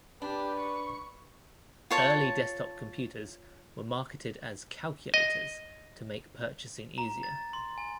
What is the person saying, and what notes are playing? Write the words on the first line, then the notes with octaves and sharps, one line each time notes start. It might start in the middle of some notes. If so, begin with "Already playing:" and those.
Early desktop computers were marketed as "Calculators" to make purchasing easier.
D4 G4 B4
C#6
F4 C#5 A5
D#5
A#5
A6
C6
G#5